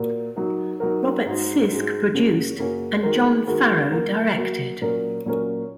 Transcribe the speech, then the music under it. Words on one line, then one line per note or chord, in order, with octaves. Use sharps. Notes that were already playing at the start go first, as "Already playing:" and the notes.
Robert Sisk produced and John Farrow directed.
Already playing: A#2 A#3 F#4 A#4
F#3 D#4 F#4 A#4
F#3 D#4 F#4 A#4
G#2 G#3 D#4 F#4
G#2 G#3 D#4 F#4
F#2 C#3 A#3 C#4 F#4
F#2 C#3 A#3 C#4 F#4
D#3 G#3 F#4 A#4
D#3 G#3 F#4 A#4
F#3 A#3 F#4 A#4
F#3 A#3 F#4 A#4
A#2 F#3 C#4 A#4
A#2 F#3 C#4 A#4